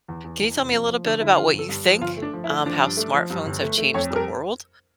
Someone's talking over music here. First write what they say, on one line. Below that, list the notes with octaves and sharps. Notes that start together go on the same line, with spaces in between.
Can you tell me a little bit about what you think, um, how smartphones have changed the world?
E2
E2
E2
F1
F3
F3
D3 D4
D3 E4
F3 F4
G1
A4
G2
F3
G1 F4
A3
D4
F3
E4
A3
F3 D4
G2
A3
F3
G2
G1
A3
A3
F2 C#5
G3
A#4